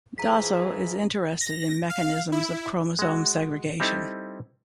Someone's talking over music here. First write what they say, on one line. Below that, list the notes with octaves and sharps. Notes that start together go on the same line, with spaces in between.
Dasso is interested in mechanisms of chromosome segregation.
G#2 E3 F3 G#4 A#5 B6
A#6
F5
E4
G#3 F#4
G3 C4 D#4 E4 G4 A4